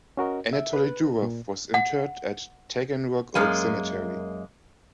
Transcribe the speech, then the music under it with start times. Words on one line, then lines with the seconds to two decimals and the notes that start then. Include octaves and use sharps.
Anatoly Durov was interred at Taganrog Old Cemetery.
0.17 C#4 F#4 A#4 D#5
0.53 E5
0.73 B4 F#6
1.23 A#2
1.74 F#5
3.35 F#2 G#3 A#3